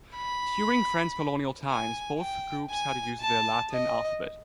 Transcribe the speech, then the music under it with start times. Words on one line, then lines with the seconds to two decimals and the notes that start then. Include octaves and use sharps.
During French colonial times, both groups had to use the Latin alphabet.
0.16 B5
1.69 G#5
2.19 G5
2.70 G#5
3.21 A5
3.72 D#5